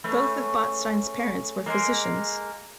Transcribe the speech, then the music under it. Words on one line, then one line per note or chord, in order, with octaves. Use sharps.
Both of Botstein's parents were physicians.
C#3 A3 B4
G#3 A#3